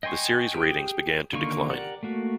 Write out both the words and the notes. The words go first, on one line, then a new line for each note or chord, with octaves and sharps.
The series' ratings began to decline.
D#5 G5 G#5 C6 C#6
G4 G#4 G5
D3 D#3 A#3 F4 C#6
G4 A#4 D5 F#5
A3 A#3 F#4